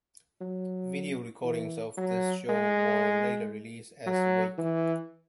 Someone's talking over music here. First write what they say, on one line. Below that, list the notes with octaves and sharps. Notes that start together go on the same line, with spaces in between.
Video recordings of this show were later released as "Wake".
F#3
E3
F#3
G#3
F#3
E3